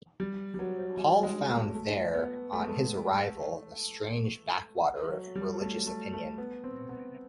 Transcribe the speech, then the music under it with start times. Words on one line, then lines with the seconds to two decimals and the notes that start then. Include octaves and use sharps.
Paul found there, on his arrival, a strange backwater of religious opinion.
0.20 G3
0.54 G3
0.59 F#3
0.97 G3
1.23 G#3
1.49 A3
1.74 A3
2.14 B3
2.53 A3
2.60 G#3
2.68 A3
5.09 F#3
5.35 G3
5.61 A3
5.87 A3
6.13 A3
6.38 B3
6.64 C4
6.89 B3